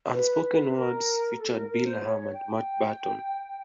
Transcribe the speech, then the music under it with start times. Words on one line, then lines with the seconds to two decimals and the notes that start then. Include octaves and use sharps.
"Unspoken Words" featured Bill Ham and Matt Betton.
0.11 B4
0.74 A#4
1.37 A4
1.52 A#4
1.68 A#4
1.84 C5
2.00 C#5
2.31 G5